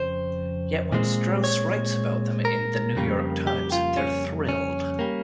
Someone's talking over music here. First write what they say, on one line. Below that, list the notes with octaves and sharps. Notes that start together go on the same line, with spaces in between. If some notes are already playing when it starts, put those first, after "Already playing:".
Yet when Strauss writes about them in "The New York Times," they're thrilled.
Already playing: F2 C#3 C5
A#2 G#3 C4
C#5
A#4
F2 C#3 G3 A#3
G4
F4
C#4
C#4
G3 A#3